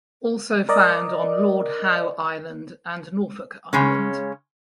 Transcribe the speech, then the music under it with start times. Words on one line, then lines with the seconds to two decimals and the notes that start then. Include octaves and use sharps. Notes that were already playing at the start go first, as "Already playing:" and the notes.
Also found on Lord Howe Island and Norfolk Island.
0.69 A#4 D5 D#5
3.73 C#3 G#3 C#4